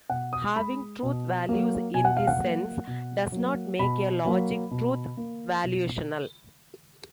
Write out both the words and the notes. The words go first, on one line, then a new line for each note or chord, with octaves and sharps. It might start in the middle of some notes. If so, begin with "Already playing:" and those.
Having truth values in this sense does not make a logic truth valuational.
B2 F#5
D#6
G#3 B5
B2
F#3 A#3
B2 G#5
F#5
F5
F#5
F#3 A#3
B2
F#3 A#3
B2 B5
F#3 A#3
B2
A#3
B2